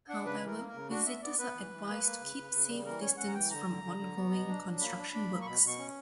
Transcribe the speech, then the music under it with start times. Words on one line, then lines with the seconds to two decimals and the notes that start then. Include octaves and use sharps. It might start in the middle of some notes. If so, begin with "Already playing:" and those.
However, visitors are advised to keep safe distance from ongoing construction works.
0.09 D4 F#5
0.25 C#3 B4
0.42 E3
0.47 A#4
0.57 A#3
0.68 A#4
0.74 C#3
0.90 D4 F#4
1.06 B3 E5
1.22 B3 D5
1.39 B3 B4
1.55 E3
1.71 E3
1.88 A#3
2.04 A#3
2.21 C#3
2.36 C#3
2.52 C#3
2.69 G3
2.85 E3 A#4
3.01 C#4 C#5
3.17 C#4 F#5
3.28 A#5
3.34 E3 G5
3.51 D3 A#5
3.67 D3
3.83 D3
3.99 D3
4.15 B3
4.32 B2
4.48 D4
4.65 F#3
4.80 A#3 B5
4.97 D4
5.13 D4
5.29 A#3
5.41 C#6
5.45 B2 B5
5.62 B2
5.67 C#6
5.79 C#4